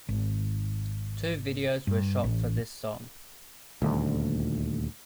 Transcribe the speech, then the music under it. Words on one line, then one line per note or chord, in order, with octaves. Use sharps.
Two videos were shot for this song.
G#1
G2
A1
D#1 D2